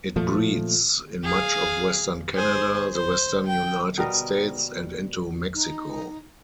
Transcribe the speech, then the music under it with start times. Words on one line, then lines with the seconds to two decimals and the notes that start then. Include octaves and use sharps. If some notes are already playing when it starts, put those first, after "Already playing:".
It breeds in much of western Canada, the western United States, and into Mexico.
0.16 A#2 F3 A3
1.24 G#4 F5
2.35 G#4 C5
2.94 C5
3.47 G5
3.98 B2 G3 A#4 D#5
5.54 D#4